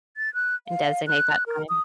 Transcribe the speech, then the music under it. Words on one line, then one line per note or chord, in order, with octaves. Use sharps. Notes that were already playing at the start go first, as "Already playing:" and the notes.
and designate that time.
A6
F#6
F5
F#6
A#4
D#6